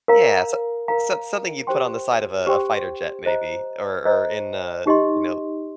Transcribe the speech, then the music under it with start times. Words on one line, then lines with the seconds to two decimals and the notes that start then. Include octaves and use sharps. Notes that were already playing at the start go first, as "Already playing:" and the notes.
Yeah. So so something you put on the side of a a fighter jet maybe, or or in a, you know,
0.08 A#4 F5 A#5
0.88 A#4 F5 A#5
1.67 G4 C5 G5 C6
2.47 G4 C5 G5 C6
3.26 C5 D#5 A#5
4.05 C5 D#5 A#5
4.86 D#4 G4 D#5 C6